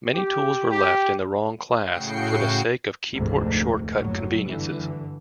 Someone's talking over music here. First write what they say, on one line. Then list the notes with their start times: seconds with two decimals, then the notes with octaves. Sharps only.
Many tools were left in the wrong class for the sake of keyboard-shortcut conveniences.
0.14 G4
0.71 G4
1.91 A2 C#3 F#4 G5 C7 C#7
3.16 F1 D2 G#2 C3
3.99 F#1 F#2 A2 F#3
4.48 G2 D3 E3